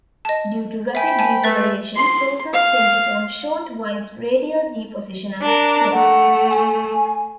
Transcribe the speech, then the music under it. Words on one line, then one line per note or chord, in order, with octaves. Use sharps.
Due to rapid deceleration, saucers tend to form short, wide, radial depositional slopes.
D#5 A5
C5 E5 G5 G#5 B5
G#5 A5
A3 B4 E5 A6
C6
F5
D4 A#4
A3 F#5
G#5